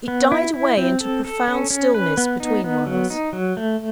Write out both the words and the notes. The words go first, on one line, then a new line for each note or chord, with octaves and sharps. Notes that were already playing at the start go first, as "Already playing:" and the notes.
It died away into profound stillness between whiles.
B3
E4
E4
C4
A4
A4
C#4
C#4
B4
B3
D#4
B3
F#3
D#4
F#3
A3